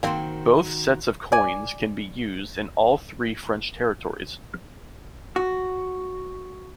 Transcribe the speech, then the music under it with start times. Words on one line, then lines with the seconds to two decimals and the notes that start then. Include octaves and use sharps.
Both sets of coins can be used in all three French territories.
0.03 D#3 A#3 C4 F#4 C5
1.32 D5 G#5
5.36 F#4